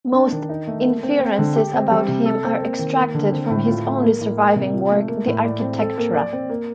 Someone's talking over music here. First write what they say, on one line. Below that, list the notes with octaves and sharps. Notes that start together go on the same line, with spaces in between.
Most inferences about him are extracted from his only surviving work "De Architectura".
D4
D#3
D#4
A3
A#4
C4
C4
D3
G4
C4
G3
C3
A4
C4
A#3
D#3
A#3
D3
C4
A2
F4
A3
A#3
A2
A#3
C3
F4
A3
A#3
A2
D5
C4
A4
A#3
D5
C4
A#3